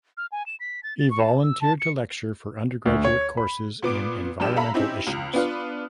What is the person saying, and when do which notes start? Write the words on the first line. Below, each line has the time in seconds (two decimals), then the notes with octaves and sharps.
He volunteered to lecture for undergraduate courses in environmental issues.
0.17 F6
0.32 G#5
0.46 E7
0.60 B6
0.83 A6
0.99 A6
1.10 C#6
1.22 A5
1.42 E6
1.61 A5
1.80 C#7
2.86 D2
3.05 C#5
3.37 B5
3.83 A#2 B3 D6 D7
4.40 A#1 G2 D4 G4 E7
4.56 A4 E5 F5 A#5 B5
4.74 C4 C#4 D#4 E4 G4
5.07 C#2
5.33 B3 D4 F4 B4